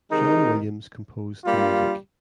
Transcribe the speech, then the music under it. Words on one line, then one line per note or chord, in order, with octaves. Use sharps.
John Williams composed the music.
C3 D#3 G#3 D#4
G2 G3 A#3 F4